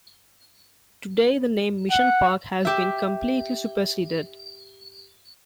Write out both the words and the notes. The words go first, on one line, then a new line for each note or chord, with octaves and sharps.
Today, the name Mission Park has been completely superseded.
F#5
G4 E5